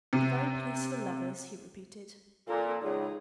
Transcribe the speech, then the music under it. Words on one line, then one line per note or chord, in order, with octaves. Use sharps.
"The very place for lovers," he repeated.
C3
A#2 A4 A#4
C#2 D#4 G#4